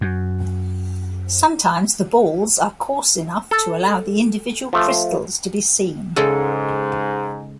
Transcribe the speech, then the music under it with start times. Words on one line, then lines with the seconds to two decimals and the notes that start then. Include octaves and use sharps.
Sometimes the balls are coarse enough to allow the individual crystals to be seen.
0.01 F#2
3.51 A4
4.73 F3 A3
6.16 G#2 C#3 G#3 A4